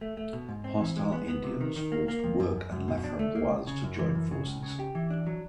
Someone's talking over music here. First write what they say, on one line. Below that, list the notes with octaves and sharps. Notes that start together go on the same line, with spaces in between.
Hostile Indians forced Work and Laframboise to join forces.
A3
A3
B2
G#2
C4
E3
G#3
B3
B3
C3
D#3
D#3
A#3
A#3
F2
F#2
F#2
F#2
B2
D4
A3
A#3
C#2
C#3
F#2
E3
F#2
C#3
C#2
C#3
G4
E3
D4
F#3